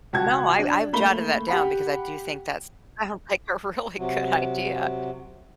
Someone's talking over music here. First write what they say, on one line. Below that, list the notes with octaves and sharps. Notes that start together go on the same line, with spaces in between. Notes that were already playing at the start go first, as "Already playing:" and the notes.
No. I I've jotted that down because I do think that sounds like a really good idea.
C#2 F#4 A5 G#6
D4
A3 A#3 B5 G7
G4 F#5 B5
C3 F#3